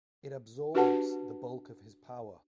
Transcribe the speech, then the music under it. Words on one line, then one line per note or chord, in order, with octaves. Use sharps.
It absorbs the bulk of his power.
D4 F#4 G4 B4 F#5 A5